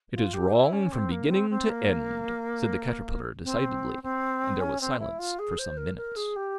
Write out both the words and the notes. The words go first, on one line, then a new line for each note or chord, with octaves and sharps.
'It is wrong from beginning to end,' said the Caterpillar decidedly, and there was silence for some minutes.
F4
G4
E4
C#4
C4
A#3
C4
C4
A#3
C4
C4
C#4
C4
E4
F4
G#4
C5
A#4
A#4
G#4
G4